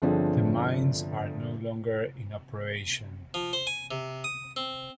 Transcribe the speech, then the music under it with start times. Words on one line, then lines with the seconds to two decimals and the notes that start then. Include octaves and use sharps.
The mines are no longer in operation.
0.02 G1 F3 C4 D4 G#4 A4
3.34 F3
3.53 C5
3.67 G#5
3.91 C3
4.24 D#6
4.56 C4